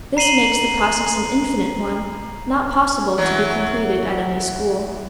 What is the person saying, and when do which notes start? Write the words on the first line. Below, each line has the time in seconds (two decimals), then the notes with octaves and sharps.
This makes the process an infinite one, not possible to be completed at any school.
0.17 A#5 C7 D#7 F#7 G7
3.18 E3 F#3